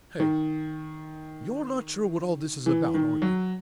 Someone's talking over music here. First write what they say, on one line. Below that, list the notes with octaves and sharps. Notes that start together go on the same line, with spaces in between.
Hey, you're not sure what all this is about, are you?
D#3
E3
D#3
F#3